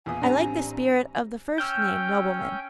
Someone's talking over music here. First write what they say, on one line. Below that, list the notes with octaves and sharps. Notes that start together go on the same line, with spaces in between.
I like the spirit of the first-named nobleman.
E2 A#2 G#5 D#6
A1 G3 C4 D4 A#5
C#4 G5 E6 F6 G6